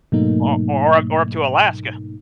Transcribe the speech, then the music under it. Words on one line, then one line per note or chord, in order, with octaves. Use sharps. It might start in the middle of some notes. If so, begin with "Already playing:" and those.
Or or or or up to Alaska.
G#2 B2 F#3 A3 A#3 D#4